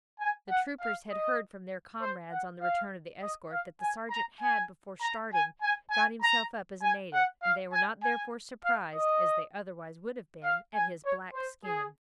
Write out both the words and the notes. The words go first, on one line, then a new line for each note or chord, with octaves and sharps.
The troopers had heard from their comrades, on the return of the escort, that the sergeant had, before starting, got himself up as a native; and they were not therefore surprised, as they otherwise would have been, at his black skin.
G#5
F#5
F5
D#5
C5
F#5
F5
D#5
F5
G#5
A#5
G#5
A#5
G#5
G#5
G#5
A#5
G#5
F#5
F5
G#5
G#5
F5
D#5
F5
G#5
C#5
C5
G#4